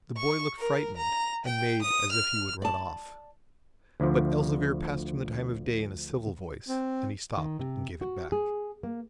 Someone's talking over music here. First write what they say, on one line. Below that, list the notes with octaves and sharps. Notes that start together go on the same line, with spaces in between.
The boy looked frightened, and made as if he would run off, but Elzevir passed him the time of day in a civil voice, and he stopped and gave it back.
C#6
A#4
A#5
G5
D#6
F6
D5 A5
D2 D3 F3
C4
D#3
C3
F#4
G#4
A#3